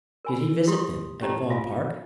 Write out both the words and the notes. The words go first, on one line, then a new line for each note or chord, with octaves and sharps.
"Did he visit then at Vaughan Park?"
A#4 G#5 B5
E4 G4 C6 D#6
C#4 G4 A5 A#5
F4 F#4 E5 F5 G#5